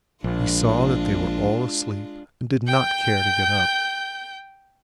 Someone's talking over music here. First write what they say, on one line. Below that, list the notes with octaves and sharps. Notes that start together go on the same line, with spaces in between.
He saw that they were all asleep, and did not care to get up.
A#1 G#3 D4 F4
G5 G6